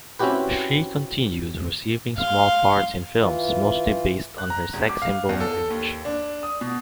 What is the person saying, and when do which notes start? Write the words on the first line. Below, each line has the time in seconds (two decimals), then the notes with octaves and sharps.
She continued receiving small parts in films mostly based on her sex symbol image.
0.19 C4 C#4 E4 F#4 G4 B4
2.17 F5 C6
3.18 E3 F4
4.38 F#6
4.50 A#5
4.73 E1
4.89 D6
5.02 F5
5.29 E2
5.40 A4
5.70 D#2
6.05 D4
6.43 D#6
6.61 B2